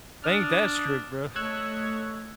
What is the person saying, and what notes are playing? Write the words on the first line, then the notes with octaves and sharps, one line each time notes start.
they ain't that strict, bro.
D4 D#6 F6
A3 C#5 D#5 E6 F#6 G#6